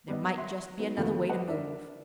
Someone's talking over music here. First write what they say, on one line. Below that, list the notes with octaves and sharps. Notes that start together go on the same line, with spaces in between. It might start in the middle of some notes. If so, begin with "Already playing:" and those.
There might just be another way to move.
G3 B3 D#5
E5 C6
F#3 B3 D#4
F2 A#2 D3 D#3 A3 B3
G3 F#4 B4 C5 D#5 F#5
D4 A#4 E5